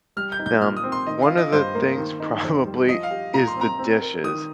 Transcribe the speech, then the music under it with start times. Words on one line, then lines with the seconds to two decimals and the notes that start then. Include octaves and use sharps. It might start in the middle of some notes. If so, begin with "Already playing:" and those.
n um, one of the things probably is the dishes,
0.17 G3 F6
0.32 G6
0.39 D#4
0.46 G6
0.61 A#2 F6
0.77 D#6
0.84 C4
0.92 C6
1.07 D#3 D#5
1.22 F5
1.30 F4
1.37 D#5
1.52 G2 C5
1.75 A#3
1.98 D#3
2.20 D#4
2.43 F2
2.65 G3
2.88 F3 D#5
3.03 F5
3.11 G4
3.33 A#2 A#5
3.47 C6
3.56 C4
3.61 A#5
3.79 C4
4.01 A#4
4.24 D#3 D#6